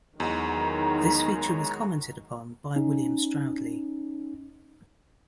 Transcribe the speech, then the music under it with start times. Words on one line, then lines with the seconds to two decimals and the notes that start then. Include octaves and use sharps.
This feature was commented upon by William Stroudley.
0.20 E2 D#3 F#3 G#3 F#4 A#5
2.76 C#4 D#4